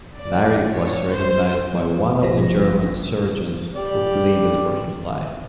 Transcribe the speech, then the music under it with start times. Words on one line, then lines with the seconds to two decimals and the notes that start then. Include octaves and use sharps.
Larrey was recognized by one of the German surgeons, who pleaded for his life.
0.17 D5
0.75 C#5
1.14 C5
2.21 G#1 C3 F3 C4 A#6 B6
3.75 G4 D5